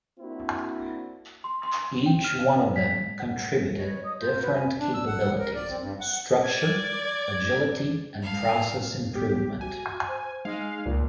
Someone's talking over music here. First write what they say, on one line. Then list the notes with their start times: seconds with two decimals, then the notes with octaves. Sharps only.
Each one of them contributed different capabilities: structure, agility and process improvement.
0.19 A#3 C4 D4 E4 F#4
1.44 C6
1.63 C6
2.06 G5
2.24 F6
2.39 F5
2.56 B4
2.76 B6
3.20 F#5
3.74 B4 C#5 D#5
4.03 C#5 D#5 D#6
4.19 F4 A#4 G6
4.40 F#4 B4
4.54 G#5
4.80 D4
4.94 E6
5.07 F#5
5.39 A#4
5.55 D5
5.70 C4
5.81 G2
6.00 F#5
6.43 D5 G#6
8.22 F5 A5
9.15 B3 G4
9.61 F#4 G#5
10.08 C5
10.45 G#3 D#4 F5
10.86 C#2 A#2